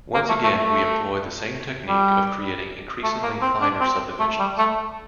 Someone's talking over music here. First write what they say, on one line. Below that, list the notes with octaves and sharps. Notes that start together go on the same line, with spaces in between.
Once again we employ the same technique of creating increasingly finer subdivisions.
A#3
A3
A3
A3
G3
A3
A#3
C4
D4
C4
A3
G3
A3